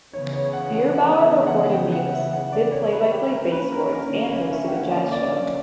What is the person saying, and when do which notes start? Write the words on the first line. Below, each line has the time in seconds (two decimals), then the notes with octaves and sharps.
Bierbauer reported news, did play-by-play base sports and hosted a jazz show.
0.13 C#3 E3 B3 C#5
0.33 C#5
0.53 F#5
0.72 F#5
0.93 F#5
1.20 E5
1.47 F#5
1.72 G5
1.92 F#5
2.13 E5
2.33 F#5
2.52 D5
2.72 C#5
2.92 B4
3.12 G4
3.32 D3 A#3 C#4 A#4
3.52 B4
3.72 A#4
3.93 A#4
4.32 C#5
4.52 E5
4.67 G5
4.72 F#5
4.91 D5
5.12 D5